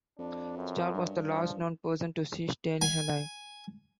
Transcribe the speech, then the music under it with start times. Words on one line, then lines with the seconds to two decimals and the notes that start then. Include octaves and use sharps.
Starr was the last known person to see Staley alive.
0.19 F2 D4
0.57 F#2
0.94 G2
1.30 F3
2.82 G#5